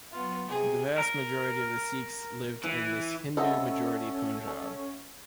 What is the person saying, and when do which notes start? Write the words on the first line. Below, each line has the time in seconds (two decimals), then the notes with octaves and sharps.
The vast majority of the Sikhs lived in this Hindu-majority Punjab.
0.12 F#3 B3 F4
0.45 C3 G#4
0.98 A#4
2.64 E3
3.37 G3 C#4 F#4 A4 C5 D#5 E5 F#5
4.47 A5